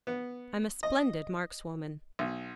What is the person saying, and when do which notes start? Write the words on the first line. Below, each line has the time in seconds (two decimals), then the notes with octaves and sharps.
"I'm a splendid markswoman."
0.07 B3
0.83 D#5
2.19 B1